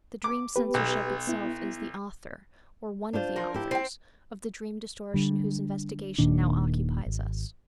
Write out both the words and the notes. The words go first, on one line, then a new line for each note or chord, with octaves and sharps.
The dream censorship itself is the author, or one of the authors, of the dream distortion whose investigation now occupies us.
D6
B3 G4 B4
B1
B3 E4
D4 F4 C5
F3 A#4
E4 G4
C4 G5
D3 G3
D#1 A#2 D#3 D4
G#1